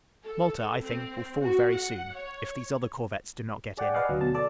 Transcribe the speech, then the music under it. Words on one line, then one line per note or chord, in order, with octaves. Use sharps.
Malta, I think, will fall very soon, if these other corvettes do not get in.
A4
C4
F#4
F#5
C#5
G#4 D5 F#5 G5
B4 D5 D#5 F5 F#5 G#5
D2 F#3
B2 A5
A4 D5 A5